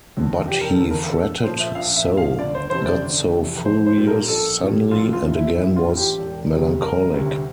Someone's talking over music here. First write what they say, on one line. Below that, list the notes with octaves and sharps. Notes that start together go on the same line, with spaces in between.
But he fretted so, got so furious suddenly, and again was melancholic.
E2 D3
F1 G4
A#4
A4
E2 D3
A#4
A#1 A4
A#2 F3 C5
E5
A#1 F5
E5
A#2 F3
F5
G1 D5
C5
F2 C3 E3 C5
D5
G1
F2 C3 E3
A#1 C5
C5
A#2 G3
A#4
A#1 A4
A#2 G3
A#1 F4
F4
A2 E3
E4
A#1 E4
F4
A2 E3
G4
E1
D2 C3 G3
E1 A#4
D2 C3 G3